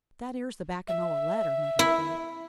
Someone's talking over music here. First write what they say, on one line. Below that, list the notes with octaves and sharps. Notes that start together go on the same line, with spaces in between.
"That ere's the backin' o' a letter," muttered he.
E5
E4